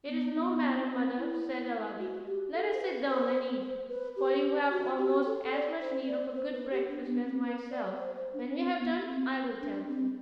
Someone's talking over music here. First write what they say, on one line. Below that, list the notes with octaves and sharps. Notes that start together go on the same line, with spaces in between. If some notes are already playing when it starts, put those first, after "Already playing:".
"It is no matter, mother," said Aladdin, "let us sit down and eat; for you have almost as much need of a good breakfast as myself; when we have done, I will tell you."
B3
B3
C4
E4
F#4
G4
A4
C5
B4
C5
C5
B4
G4
F#4
G4
A4
D5
C5
D5
D5
C5
B4
G4
D4
B3
C4
B4
D5
C5
C5
D4
C4
B3
C4
D4
C4